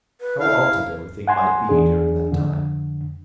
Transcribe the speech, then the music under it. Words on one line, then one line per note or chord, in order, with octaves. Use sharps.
How altered every thing might be during that time!
B4
E4 F5
F#5 G#5 C6
E2 D4 G#4
F2 D3